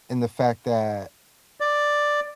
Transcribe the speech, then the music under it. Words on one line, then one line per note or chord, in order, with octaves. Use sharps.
in the fact that
D5